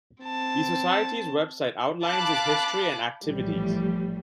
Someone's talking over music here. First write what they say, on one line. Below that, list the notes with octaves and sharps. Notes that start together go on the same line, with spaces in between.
The society's website outlines its history and activities.
C4 A5
F5 A5 B5 D6 F#6
A#1 A2 E3 F3 G3